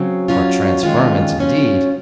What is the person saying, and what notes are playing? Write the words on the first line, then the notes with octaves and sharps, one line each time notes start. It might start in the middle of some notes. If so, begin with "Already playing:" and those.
For transferment, indeed!
Already playing: C#3 F#3 C4
F#3 C#4 F4
D#3 G#3 C#4 F4
C#3 F#3 C#4 F4